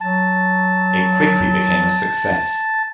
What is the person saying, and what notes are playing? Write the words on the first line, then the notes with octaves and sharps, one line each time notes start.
It quickly became a success.
F#3 A5